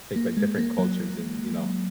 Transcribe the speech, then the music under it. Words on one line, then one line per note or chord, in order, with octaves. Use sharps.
take, like, different cultures and, you know
A#3
G#3
A#3
F#3